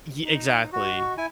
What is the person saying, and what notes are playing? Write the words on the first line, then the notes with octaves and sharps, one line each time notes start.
ye exactly.
D#4
F#4 D#5 C#6
E4 G#5